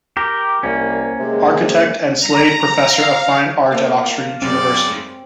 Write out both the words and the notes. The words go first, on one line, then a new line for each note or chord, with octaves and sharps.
Architect and Slade Professor of Fine Art at Oxford University.
G4 A#4
C2 A#3 C#4
C3 G#3
A#5
F5
A#3 F5 A5
F#2 C#3 C4 D5